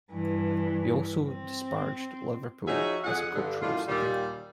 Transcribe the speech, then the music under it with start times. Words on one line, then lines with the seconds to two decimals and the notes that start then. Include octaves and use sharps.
He also disparaged Liverpool as a cultural city.
0.12 G2 E3
1.28 C4
2.67 F3 D#4 F#4 G#4 C#5 E5
3.04 F2 G#4 F#5
3.33 G2 D3
3.61 F#2 A2 D#3 D4 F4
3.88 D#2 A#2 G3